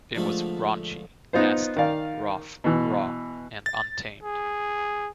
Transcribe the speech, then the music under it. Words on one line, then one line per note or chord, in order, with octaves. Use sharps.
It was raunchy, nasty, rough, raw, and untamed.
D3 F3 G#3 A3
B3 D#4 F4 C5
D#3 D5 F5
B2 E3
A6
G#4